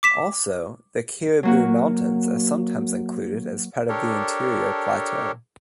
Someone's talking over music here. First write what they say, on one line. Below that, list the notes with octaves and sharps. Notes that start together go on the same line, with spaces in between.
Also, the Cariboo Mountains are sometimes included as part of the Interior Plateau.
D6 B6 E7
F#3 A#3 F#4
D4 G4 A4 A#4 C#5